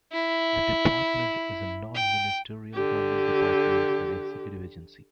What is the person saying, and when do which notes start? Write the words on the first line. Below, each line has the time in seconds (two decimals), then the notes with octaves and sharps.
The department is a non-ministerial government department and executive agency.
0.12 E4
1.95 G5
2.73 D3 G4